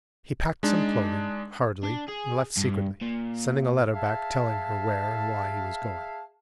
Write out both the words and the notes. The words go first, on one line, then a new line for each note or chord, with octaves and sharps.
He packed some clothing hurriedly and left secretly, sending a letter back telling her where and why he was going.
G#3 D4 D#4
D4
G#4
G2
A#2
G#4 E5 F5 A5